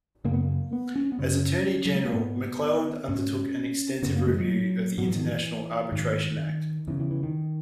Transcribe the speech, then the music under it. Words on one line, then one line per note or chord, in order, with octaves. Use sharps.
As Attorney General, McClelland undertook an extensive review of the International Arbitration Act.
F#2 C#3 A#3
B3
A#3
B3
C#4
B3
F#2 C#3 C#4
F#3
G#3
A#3
G#2 B3
G#2 C#4
F#2 C#3 B3
A#3
G#3
E3
F#3
G#2 F#3
E3
D#3
E3
G#2 D#3
E2 C#3 E3
E3
E3
D#3